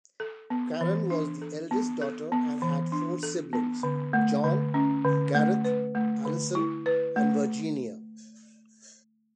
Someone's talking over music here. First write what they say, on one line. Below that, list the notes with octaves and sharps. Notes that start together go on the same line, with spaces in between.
Karen was the eldest daughter and had four siblings: Jon, Gareth, Alison and Virginia.
A4
B3
E3
D4
A4
B3
A4
B3
E3
D4
A4
B3
D3
A3
D3
C#4
D3
A3
B4
A3
D3
E4
B4
A3